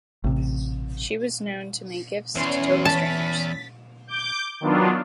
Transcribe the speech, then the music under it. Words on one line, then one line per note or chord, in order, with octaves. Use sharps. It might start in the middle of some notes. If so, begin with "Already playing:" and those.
She was known to make gifts to total strangers.
A1 C3
E2 E3 C#4 C#5 D5 C6
A5 A6 B6
D6 G6
D#3 F#3 B3 D4 F4